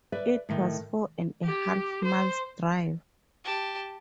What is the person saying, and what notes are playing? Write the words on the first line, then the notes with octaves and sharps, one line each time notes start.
It was four and a half miles’ drive.
B4 D5 E5
A2 D#3
G4
C5
G4 A5